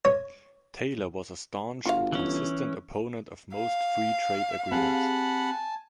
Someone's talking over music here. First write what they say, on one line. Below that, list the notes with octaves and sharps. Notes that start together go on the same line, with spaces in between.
Taylor was a staunch and consistent opponent of most free trade agreements.
C#5
G1 F4 F#4 F5
E3 C#4
F5
C4 G4 G#4 F#5 G#5 A5 B5